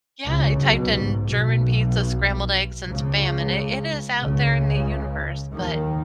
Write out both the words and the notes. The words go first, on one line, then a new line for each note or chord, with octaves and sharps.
yeah I typed in "German pizza, scrambled eggs, and spam." And it it is out there in the universe but
C#2 C#3
B1 B2
G#2
B1 B2
C#2 C#3
C#2 C#3
D#2 D#3